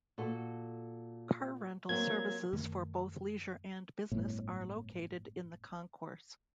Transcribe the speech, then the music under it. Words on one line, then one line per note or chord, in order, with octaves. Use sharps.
Car rental services for both leisure and business are located in the concourse.
A#2 F#4 A4
F#3 A#3 C4 G#6
F#2 D#3 A3
G1 A2